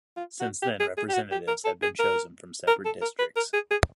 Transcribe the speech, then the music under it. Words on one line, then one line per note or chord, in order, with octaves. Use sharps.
Since then, Representatives have been chosen from separate districts.
F4
F#4
G4
G#4
G#4
G4
F#4
G4
A#4
A4
G#4
A#4
A#4
A4
A#4
B4
A#4
G#4
G#4